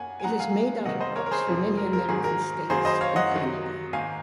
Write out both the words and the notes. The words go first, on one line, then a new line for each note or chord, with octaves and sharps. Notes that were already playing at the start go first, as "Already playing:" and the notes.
It is made out of rocks from many American states and Canada.
Already playing: F#2 A#3 C#5 F#5 G#5
G#5
A#2 G#3 F#5 A#5
F5 G#5
C3 D#3 A#3 D#5 F#5
C5 D#5
A#4 C#5
A#4
G#4 C5
F2 C3 F3
A#4
A#4
G#2 D#3 F#3 G#4
A#4
F#2 D#3 F#3 A#3 G#4 C5
C5 D#5
C#5 F5
D#5 F#5
F#2 D#3 F#3
G#2 D#3 A#3 F5 G#5